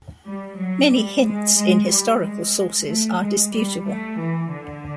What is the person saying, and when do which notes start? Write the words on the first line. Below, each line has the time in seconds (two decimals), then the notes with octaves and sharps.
Many hints in historical sources are disputable.
0.23 G3
0.56 F#3
0.89 G3
1.21 G#3
1.55 G#3
1.88 G3
2.21 G#3
2.87 A3
3.20 G#3
3.53 G3
3.85 A3
4.19 E3
4.52 D3